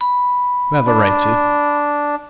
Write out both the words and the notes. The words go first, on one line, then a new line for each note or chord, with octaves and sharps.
You have a right to.
B5
D4